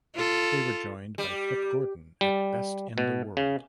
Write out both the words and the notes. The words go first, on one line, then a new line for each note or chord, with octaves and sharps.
They were joined by Flip Gordon at Best in the World.
F4 A4
G3
G3
B2
C#3